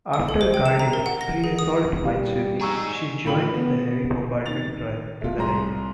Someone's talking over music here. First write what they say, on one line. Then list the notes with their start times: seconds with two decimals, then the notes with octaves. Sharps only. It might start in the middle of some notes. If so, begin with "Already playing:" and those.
After guarding preassault minesweeping, she joined in the heavy bombardment prior to the landing.
0.14 D#6
0.29 A4
0.41 C5
0.54 G5
0.66 E7
0.79 A#5
0.93 A#4
1.06 F#5
1.21 A#6
1.44 G#4
1.59 D#6
2.05 G3 E4 G4 F5
2.61 D#4 G#4 A#5 C#6 E6
3.24 A2 F4 G5 B5 F#7
3.54 B3
4.46 D#3 A6 F7
5.21 A3 F4
5.38 C2 G#4 A#5 C6